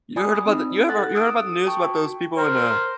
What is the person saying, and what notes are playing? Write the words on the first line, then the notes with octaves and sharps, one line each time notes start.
You heard about the you ever you heard about the news about those people in, uh,
D5 G#5 B5 D#6
C4 D#4
A4 F#5 F#6 A6
D#6 E6 D7
G5 A5 C#6
F#4
A#4 C5